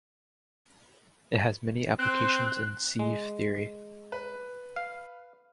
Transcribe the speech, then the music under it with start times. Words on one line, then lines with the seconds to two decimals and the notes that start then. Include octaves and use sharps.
It has many applications in sieve theory.
1.99 C4 F#6
2.99 G#3
4.12 B4
4.76 F5